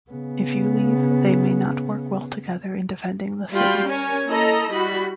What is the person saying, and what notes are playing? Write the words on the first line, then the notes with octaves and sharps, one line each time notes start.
If you leave, they may not work well together in defending the city.
C#3 B3
G3 F4 F#4 G5 B5
C#4 A#4 C#5 G#5
A#3 E4 A4 D#5 A#5
G3 E4 F#4 B5